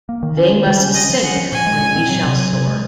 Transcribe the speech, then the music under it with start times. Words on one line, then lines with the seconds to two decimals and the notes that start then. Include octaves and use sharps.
They must sink when we shall soar.
0.09 A#3
0.23 D#3
0.37 C#4
0.52 G#3
0.67 C#3
0.80 C#4
0.94 C#4 D#5
1.10 F3
1.24 C#4 F#5
1.37 F3
1.52 A#2 G#5
1.67 G#3
1.80 A#2
1.96 C4
2.09 F#3
2.24 C3
2.38 F#3
2.53 C3
2.67 G#3